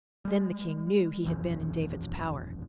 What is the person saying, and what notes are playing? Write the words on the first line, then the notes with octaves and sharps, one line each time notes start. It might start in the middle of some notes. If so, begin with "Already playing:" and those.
Then the king knew he had been in David's power.
G3 G#3
E1 A#1 F#2 E3